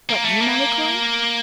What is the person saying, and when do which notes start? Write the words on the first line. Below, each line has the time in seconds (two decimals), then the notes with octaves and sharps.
"What, you, Malicorne?"
0.09 A#3
0.25 A3
0.41 A#3